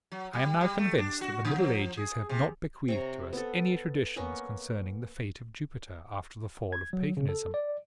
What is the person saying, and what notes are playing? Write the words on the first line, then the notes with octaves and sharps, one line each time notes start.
I am now convinced that the middle ages have not bequeathed to us any traditions concerning the fate of Jupiter after the fall of Paganism.
F#3
G3
G3
A3
D4
F#4
C#3
F3
G#4
C3
C3 C#5 A#5
B3 A4
A#3 B3 C#4 C#6
G#6
F#3
C#3
A4
D5